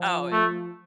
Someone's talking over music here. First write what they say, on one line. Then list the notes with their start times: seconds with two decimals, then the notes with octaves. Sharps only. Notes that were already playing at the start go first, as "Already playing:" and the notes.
Oh, i
Already playing: F3
0.32 A3